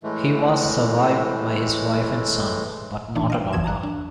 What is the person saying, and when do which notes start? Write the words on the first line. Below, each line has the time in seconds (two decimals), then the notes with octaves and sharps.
He was survived by his wife and son, but not a daughter.
0.03 A2 E3 G#3 A3
3.15 A#2 E3 D4 D#4
3.30 D#5 F5 G5
3.53 G#1 E2 E3 F#3 G#6 E7
3.64 A5 A#5 F#6
3.83 D4